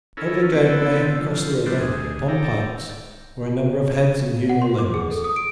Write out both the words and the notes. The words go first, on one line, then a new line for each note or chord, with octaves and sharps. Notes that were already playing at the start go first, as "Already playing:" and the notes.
Over the gateway across the river, upon pikes, were a number of heads and human limbs.
C#4 E4 A4 A#4
B3 C4 E4 A4
F3
F3 G3 B3 C4 D4
D2 G#4
A4 D5 G5 A#5
F#5
C6
D6
G#4
A4
D#6
D7